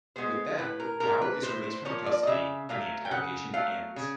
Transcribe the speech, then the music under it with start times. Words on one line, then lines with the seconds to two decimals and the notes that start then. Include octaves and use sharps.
With that, Bauer is released from custody and the interrogation ends.
0.16 G#3 B3 C5
0.58 A2 B4
0.80 A#4
1.00 F3 A#3 A#4
1.21 B4
1.43 A2 C5
1.64 C5
1.85 F3 A#3 C#5
2.06 D5
2.23 D#5
2.27 C#3 E5
2.69 F#3 A3 F5
3.05 G5
3.11 C#3 F#5
3.54 F#3 A3 F5
3.96 C#3